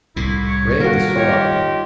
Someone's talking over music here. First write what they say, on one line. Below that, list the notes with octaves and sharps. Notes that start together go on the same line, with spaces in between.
Rey de Sulaco!
C2 A2 E4
C#5
D#3 G3 A#3 F#4 A#4
D#4 F4 G4 C#5